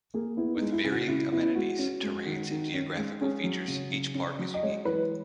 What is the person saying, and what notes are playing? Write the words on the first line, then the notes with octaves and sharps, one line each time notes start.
With varying amenities, terrains and geographical features, each park is unique.
A#3 G#4
B3 E4
D#4
G#3
E4
C#3 G#4
F#4
C#3 E4
B3 E4
G#3 F#4
C#4
G#3
D#3
D#3
C#4
G#3
C#4 G#4
F#3
C#3
C#3
C#4
F#3
D#5
G#3 C#5
E3 B4